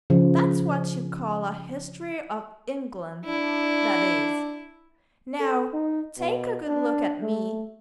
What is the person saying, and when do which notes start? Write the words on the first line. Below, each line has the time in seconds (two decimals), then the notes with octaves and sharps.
'That's what you call a History of England, that is. Now, take a good look at me!
0.10 C#3 F3
3.25 D4 E4
5.40 A4
5.73 D#4
6.19 B2
6.67 D4
7.22 A3